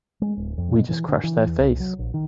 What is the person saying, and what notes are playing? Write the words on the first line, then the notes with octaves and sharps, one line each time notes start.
We just crushed their face!
G#3
D1
F2
B2
E3
D3
E3
E2
C2
F#3
A#1
D#3